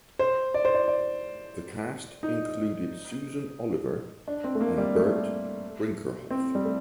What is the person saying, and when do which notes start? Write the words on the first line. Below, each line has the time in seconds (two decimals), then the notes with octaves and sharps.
The cast included Susan Oliver and Burt Brinckerhoff.
0.19 C5
0.54 D5
0.65 C5
0.74 D5
0.88 D5
2.23 D#4
4.28 D4
4.44 C4
4.55 A3
4.61 A#3
4.78 G3
4.96 A3
6.31 C4
6.55 G3
6.65 A3